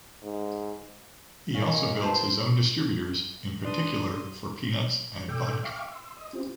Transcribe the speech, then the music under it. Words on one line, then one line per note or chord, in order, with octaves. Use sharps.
He also builds his own distributors, in particular for peanuts ad vodka.
G#2
A#3 C#4 F4 D#5
B4 C5 A5
D4 B4 D5 C6 D#6
B2 A4 G5 D6 E6 G6
E5 F5 G5 C#6 D6 F6
C6 E6
D#5 D#6
C4 C#4 E4 F4 G4 C5